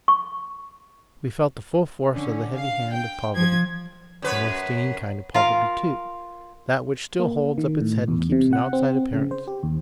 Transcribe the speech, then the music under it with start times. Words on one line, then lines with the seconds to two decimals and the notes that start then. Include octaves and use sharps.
We felt the full force of the heavy hand of poverty--the most stinging kind of poverty too, that which still holds up its head and keeps an outside appearance.
0.08 C#6
2.14 D3 C#4
2.56 F5
2.93 G5
3.33 F3 G#6
4.22 F#2 B4 C#5
5.34 F4 A#4 F5
7.20 A#3
7.58 D#3
7.81 A2
8.08 E2
8.32 C3
8.53 F#5
8.73 C4
9.13 C#3
9.31 C5
9.47 G4
9.63 D#2